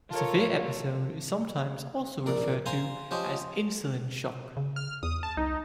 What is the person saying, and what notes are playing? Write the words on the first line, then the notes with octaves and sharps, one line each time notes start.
A severe episode is sometimes also referred to as "insulin shock".
F4 A4 A#4 C#5 A5
A#1 A#4 D5
C5 F5 G#5 A#5 C6
F3 C#4 G4 C5 D#5
C#3
F6
E2 D#6
A5
C2 D#4